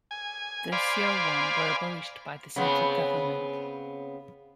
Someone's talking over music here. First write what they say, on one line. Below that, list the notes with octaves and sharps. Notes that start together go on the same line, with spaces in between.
The seowon were abolished by the central government.
G#5
C5 D5 F5 G#5 B5
C#3 B3 C4